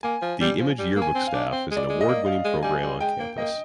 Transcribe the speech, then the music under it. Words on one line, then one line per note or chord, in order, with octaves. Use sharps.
The Image Yearbook Staff is an award winning program on campus.
A#3 G#5
F3
G3
F3
G3
A#3
G#5
C4
F5
D4
C4
G#3
D5
G#3
D#5
A#3
F5
G#3
G3 G#5
G3
G#3 G5
A#3
A#3 D#5